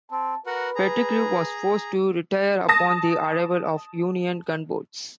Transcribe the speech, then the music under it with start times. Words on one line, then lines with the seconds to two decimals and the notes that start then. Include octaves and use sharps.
Pettigrew was forced to retire upon the arrival of Union gunboats.
0.12 C4 A5
0.46 F#4 A#4 B4 F#5
0.76 G#4 A#5
2.69 A5 D#6 A#6